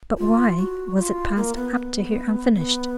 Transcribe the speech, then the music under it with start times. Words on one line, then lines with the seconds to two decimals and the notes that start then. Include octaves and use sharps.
But why was it passed up to her unfinished?
0.18 F4
0.57 F#4
0.96 F#4
1.01 F4
1.36 A#3
1.56 B3
1.76 B3
2.55 B3